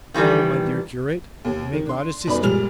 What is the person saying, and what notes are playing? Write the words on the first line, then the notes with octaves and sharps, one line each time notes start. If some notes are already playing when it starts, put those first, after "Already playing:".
"Go, my dear curate, and may God assist you!"
D#3 E3 G3 D4
D#2
D#3
D4 C6
G1 F#2 D#4 B4 D5 B5
F#1 A#2 G3 G#3 F6 F7